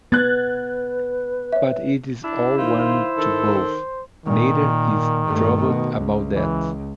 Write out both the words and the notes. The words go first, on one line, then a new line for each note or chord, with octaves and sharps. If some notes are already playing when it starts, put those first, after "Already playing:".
But it is all one to both; neither is troubled about that.
B3 B4 F#6 G#6 A6
C#5 E5
D4 E4
D#3 F4 C5
D#3 A4
A#2 D#3
G2 A3
B2
C#2
E3